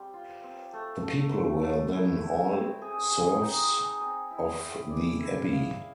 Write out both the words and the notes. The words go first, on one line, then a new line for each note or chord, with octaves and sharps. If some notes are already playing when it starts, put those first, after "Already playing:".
The people were then all serfs of the Abbey.
Already playing: G3 C4
F4
C4
A3
A3
A3
A3
E4
E4
C4
G#4
G#4
D#4
G#4
C4
E4
E4
D5
E4
F5